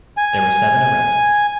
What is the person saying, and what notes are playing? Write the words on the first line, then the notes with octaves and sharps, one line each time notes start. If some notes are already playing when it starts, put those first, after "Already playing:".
There were seven arrests.
G#5